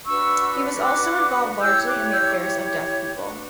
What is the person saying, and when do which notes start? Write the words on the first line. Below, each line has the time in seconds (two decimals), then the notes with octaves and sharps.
He was also involved largely in the affairs of deaf people.
0.06 D4 F#4 B4 C#6 E6
0.83 D6 F#6
1.60 E4 G4 C#5 E6 G6
1.86 D6 F#6
2.12 E6 G6
3.15 D4 F#4 B4